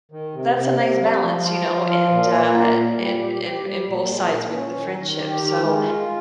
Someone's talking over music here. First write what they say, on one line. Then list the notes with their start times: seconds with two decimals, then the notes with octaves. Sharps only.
that's a nice balance, you know, and, uh, in in in both sides with the friendship, so
0.12 D#3
0.34 C3
0.57 C3
0.78 C3
1.00 G3
1.23 F3
1.44 F4
1.66 F3
1.89 F4
2.11 A#2
2.33 A#3
2.55 A#2
2.77 A#2
2.99 G3
3.21 G4
3.43 G4
3.66 G3
3.88 A#2
4.09 G#3
4.31 A#2
4.53 C#4
4.76 D#3
4.98 D#3
5.20 G4
5.42 D#3
5.64 G#3
5.86 F4